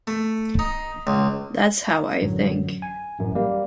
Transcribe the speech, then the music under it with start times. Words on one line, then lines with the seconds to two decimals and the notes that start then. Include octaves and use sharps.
That's how I think.
0.07 A3
0.59 D#4
1.07 C#2
2.21 A1 F#2 D3 F#3
2.82 G#5
3.18 A1 F#2
3.35 G3 A#3